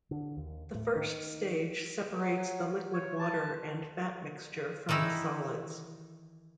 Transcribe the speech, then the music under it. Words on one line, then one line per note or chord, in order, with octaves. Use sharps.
The first stage separates the liquid water and fat mixture from the solids.
D3
D#2
A2
D#3
F#3
C#5
A5
D#3 E3 D#4 E4